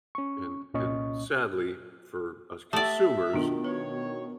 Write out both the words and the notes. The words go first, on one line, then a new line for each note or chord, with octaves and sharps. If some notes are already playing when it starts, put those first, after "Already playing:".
And and, sadly, for us consumers,
C#4 C#6
C2 A#2 C#4 D#5 C#6
A3 G4 D5 E5 F#5 G5
B2 D#3 D4 F4
B4 C#5